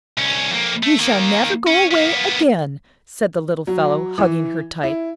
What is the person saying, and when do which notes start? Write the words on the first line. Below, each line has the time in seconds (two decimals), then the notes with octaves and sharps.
"You shall never go away again," said the little fellow, hugging her tight.
0.17 C2 C#4
0.51 F2 A#3
0.83 A3
0.99 D#3 A#3
1.67 C#4
1.91 A#3 B3
3.67 F#3
4.18 E3
4.83 E4